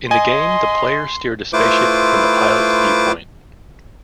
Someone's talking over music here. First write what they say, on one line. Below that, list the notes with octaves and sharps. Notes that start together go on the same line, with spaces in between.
In the game the player steered a spaceship from the pilot's viewpoint.
D#5 G#5 C6
A3 E4 F4 B4 C5 D6